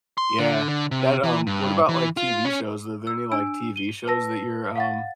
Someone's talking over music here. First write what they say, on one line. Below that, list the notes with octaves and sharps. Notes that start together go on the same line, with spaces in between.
Yeah. That, um what about, like, TV shows? Are there any, like, TV shows that you're, um
C6
D3
D3
C3
E3
G2
E3
F4
C#4
E6
D4 G#5 E6 D7
D#7 G7
B4 A5 E6 A#6
F5 F#5 A6